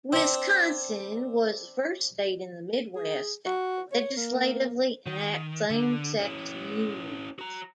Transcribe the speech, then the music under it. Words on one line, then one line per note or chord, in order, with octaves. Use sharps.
Wisconsin was the first state in the Midwest to legislatively enact same-sex unions.
C4 D4
G#4
F#4
C#5
A#3
D#3
D3
C#4 E4
F#4 A#5